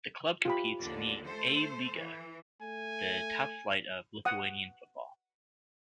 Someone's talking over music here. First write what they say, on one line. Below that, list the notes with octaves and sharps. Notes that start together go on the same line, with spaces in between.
The club competes in the A lyga, the top flight of Lithuanian football.
F4 G4 B5
D#2 D3 D5
A3 A4 C5
E3
A3 G#5
F#5 D#6